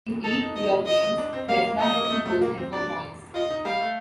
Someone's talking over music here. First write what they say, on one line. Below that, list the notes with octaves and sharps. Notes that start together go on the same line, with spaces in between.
In eight playoff games, Klesla had two goals and four points.
D#4 A4
D#4
D#5
D#5
D4
C4
A#3 F5
A#3
A3 D#5
A#3
A3
A3
A#3
C4
D4 D5
F4 D#5
D#4
G3 F5
A3